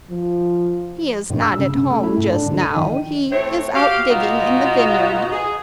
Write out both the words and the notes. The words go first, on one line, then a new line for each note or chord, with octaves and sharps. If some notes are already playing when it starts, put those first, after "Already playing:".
He is not at home just now, he is out digging in the vineyard.
F3
A#1
E6
C#3
C#3
A3
E4
A2
D4
D3
D#7
D#3
A2 A3 C4 C#5
F#4 G4 F5
B2 G#3 D#4 F4 F#4
G#4